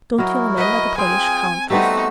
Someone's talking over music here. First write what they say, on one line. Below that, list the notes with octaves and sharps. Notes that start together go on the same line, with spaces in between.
Don't you remember the Polish Countess?
F#3 E4 F#4 A#4 D#5
B4 D#5
C4 F4 G#4 G5 G#5
G3 A3 B3 C4 D#4 F#4 E6